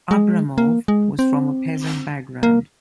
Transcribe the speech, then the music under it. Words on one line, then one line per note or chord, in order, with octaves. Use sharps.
Abramov was from a peasant background.
G#3
A#3
G#3
C4
A#3